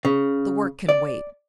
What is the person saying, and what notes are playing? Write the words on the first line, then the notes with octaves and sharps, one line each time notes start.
The work can wait.
C#3
D5